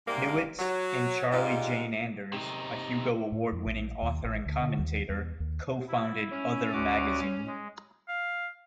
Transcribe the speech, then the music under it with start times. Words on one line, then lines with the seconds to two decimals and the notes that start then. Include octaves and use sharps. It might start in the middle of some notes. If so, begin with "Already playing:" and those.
Newitz and Charlie Jane Anders, a Hugo award-winning author and commentator, co-founded "Other" magazine.
0.08 G#2 C3 G3 A#3
0.59 F#3
1.32 G#2 G3 G#3 F4
2.33 C3 D#4
3.32 A2
3.52 F2
3.66 A#1
4.02 D#2
4.24 A1
4.46 D2
4.61 D3
4.79 D#2
5.09 E2
5.40 D#2
5.88 E4
6.32 C#4
6.73 D2 F#4 D6
7.47 G#3
8.08 F5